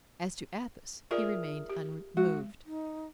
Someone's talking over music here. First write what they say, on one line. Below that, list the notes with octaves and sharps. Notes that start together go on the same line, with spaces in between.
As to Athos, he remained unmoved.
F4 G#4 A#4 D5 E5
G4
G#3 F#4
D#4